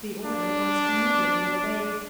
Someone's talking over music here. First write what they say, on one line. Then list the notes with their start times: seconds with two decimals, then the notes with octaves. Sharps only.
The order was immediately obeyed.
0.24 D4